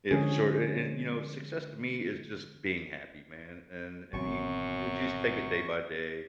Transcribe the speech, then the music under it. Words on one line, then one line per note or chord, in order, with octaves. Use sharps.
Yeah, for sure, and and, you know, success to me is just being happy, man, and and you you just take it day by day,
D3 F3 G#3 C#4 G#4
G#1 F#2 B2 E3 C4 C#5 C#6